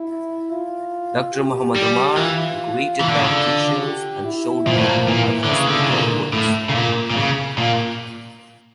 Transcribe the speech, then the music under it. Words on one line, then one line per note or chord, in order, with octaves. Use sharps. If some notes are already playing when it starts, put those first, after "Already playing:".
Doctor Mohamed Omar greeted the officials and showed them how the hospital works.
Already playing: E4
F4
G4
G3
E3 F4
E3
D3
C#3
D3
G4
E4
A#2 F3
A2
A#2
A#2 E3
D3
C#3 E3
D3
C#3
A#2 D3
A2
C#3
A#2
A#2
C#3
A#2